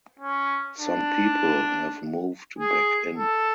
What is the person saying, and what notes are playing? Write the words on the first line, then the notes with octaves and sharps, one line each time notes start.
Some people have moved back in.
C#4
D4
G#4
A4